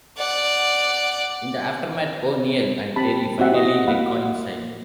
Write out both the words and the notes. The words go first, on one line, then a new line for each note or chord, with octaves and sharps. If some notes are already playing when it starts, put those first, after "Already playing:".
In the aftermath, O'Neill and Terry finally reconcile.
D5 F#5
C4 G4 A5 B5
C4 F#4 G4 E5 F#5
E4 D#5
A#3 F#4 F5 F#5 B5